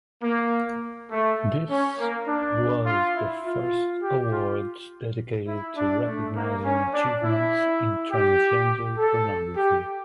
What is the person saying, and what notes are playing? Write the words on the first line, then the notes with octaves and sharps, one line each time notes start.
This was the first awards dedicated to recognising achievements in transgender pornography.
A#3
A3
C#4
A#3
D4
F4
E4
F4
G4
F4
E4
D4
A3
A#3
C#4
D4
E4
G4
A4
G4